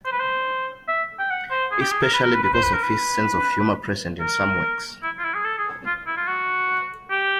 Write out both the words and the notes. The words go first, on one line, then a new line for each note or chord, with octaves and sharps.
Especially because of his sense of humor present in some works.
C5
B4
C5
E5
G5
F#5
C5
G#4
G4
G#4
A#4
B4
A#4
B4
B4
C5
B4
A#4
B4
A#4
E4
F4
E4
G#4
A4
G#4
F4
E4
F4
F#4
G4